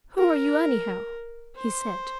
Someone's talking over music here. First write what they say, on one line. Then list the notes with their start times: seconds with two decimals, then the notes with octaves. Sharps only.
"Who are you, anyhow?" he said.
0.18 A#4
1.56 C5